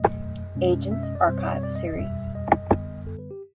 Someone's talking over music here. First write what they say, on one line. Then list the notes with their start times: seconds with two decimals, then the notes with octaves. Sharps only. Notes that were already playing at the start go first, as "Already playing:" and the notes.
Agents Archive series.
Already playing: E2 B2 F#3 A3 D#5
0.56 B2 G#3 C#4
0.91 E5
1.03 D#5
1.15 D5
1.27 B2 G3 C4 C5
1.39 C#5
1.51 C#5
1.63 D5
1.75 D#5
1.87 D#5
1.99 E2 B2 G3 E5
2.35 D#5
2.71 F#2 D3 G3 B3
3.07 A4
3.19 B4
3.31 G4